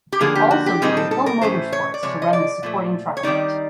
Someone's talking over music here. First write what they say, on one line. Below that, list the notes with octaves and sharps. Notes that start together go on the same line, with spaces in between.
He also joined Hill Motorsports to run the supporting Truck event.
G4
D3 F3 A#3 G#4
G4
F#4
G4
A#2 G3 C4 D#4 G#4
A4
A4
A#4
A2 E3 A3 C#4 C5
C#5
D5
C3 F3 G#3 C#5
D#5
D5
A#2 F3 A3
C#5
D#3 G3 C4 D#4 D5